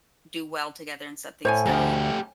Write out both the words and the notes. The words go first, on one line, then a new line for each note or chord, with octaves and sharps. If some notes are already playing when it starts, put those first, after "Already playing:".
do well together and some things don't.
A2 C5 C#5 G#5
D2 A3 G4 A#5